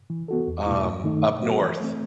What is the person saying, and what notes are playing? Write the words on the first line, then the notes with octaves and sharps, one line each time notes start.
um, up north,
E3
B3 F#4 A4
E2
B2 A3 E4
G2
D#3 A3 D#4
B2
F#3 B3 F#4 B4
E3
A3 C4